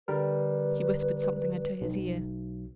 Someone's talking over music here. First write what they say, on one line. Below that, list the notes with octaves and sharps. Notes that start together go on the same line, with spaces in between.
'She whispered something into his ear.
D3 G3 A#4 B4
B1